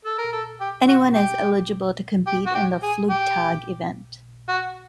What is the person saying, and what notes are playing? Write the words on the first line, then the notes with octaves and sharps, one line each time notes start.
Anyone is eligible to compete in the Flugtag event.
A4
A#4
A4
G4
F#4
G4
G4
F#4
G4
G#4
G4
F#4